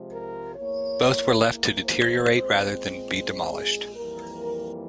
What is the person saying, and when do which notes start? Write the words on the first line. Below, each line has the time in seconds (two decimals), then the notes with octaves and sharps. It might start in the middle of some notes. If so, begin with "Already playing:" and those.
Both were left to deteriorate rather than be demolished.
Already playing: C3 F3 G#3
0.14 A#4
0.56 E2 E3 A#3 C#5
1.84 C5
2.26 A#2 G#3 C4 C5
2.68 C5
3.53 G#4
3.96 F2 E3 G3 A#3 A#4